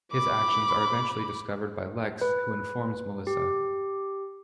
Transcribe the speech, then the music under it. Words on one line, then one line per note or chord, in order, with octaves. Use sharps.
His actions are eventually discovered by Lex who informs Melissa.
B5 D6
B4
G4